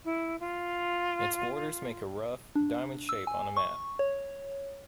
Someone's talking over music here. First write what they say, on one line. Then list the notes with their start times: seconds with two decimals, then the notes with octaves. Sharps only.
Its borders make a rough diamond shape on a map.
0.04 E4
0.39 F4
2.55 D4
3.09 E6
3.27 G#5
3.57 C#6
3.99 C#5